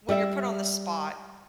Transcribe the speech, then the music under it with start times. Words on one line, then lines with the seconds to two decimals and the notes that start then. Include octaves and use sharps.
When you're put on the spot
0.09 G3 D5 E5